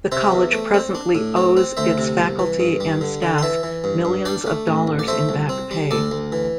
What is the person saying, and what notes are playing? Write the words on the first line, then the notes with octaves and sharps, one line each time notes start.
The College presently owes its faculty and staff millions of dollars in back pay.
C3 C5 E5
E2
A3
C4
D4
A2
C4
C4
D2 C5 E5
C3
C2
E3
G2
G3
D3
D3
C6
E3 E5 A5
E3
G2
G2
D4 D5 G5
A3
A1
A1
D5
A3 C5 E5
C2
C4
G3
D2 A4 D5
D2
E3